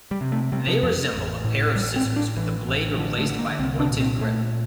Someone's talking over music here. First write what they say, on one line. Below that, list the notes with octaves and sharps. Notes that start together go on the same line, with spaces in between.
They resemble a pair of scissors with the blade replaced by a blunted grip.
G3
C3
A3
C3 G3
F3
F2 F3
A1
A2
A1 G3
C4
A2
D4
A1 E3
A1
D3 F3
A3
D3
A#3
C2 C4
D4
A#2
C4
A#2 A3